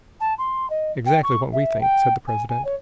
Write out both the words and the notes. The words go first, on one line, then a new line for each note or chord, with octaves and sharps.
"Exactly what we think," said the president.
A5
C6
D#5
G5
C#6
E5
G5
G#5
G#5
C#5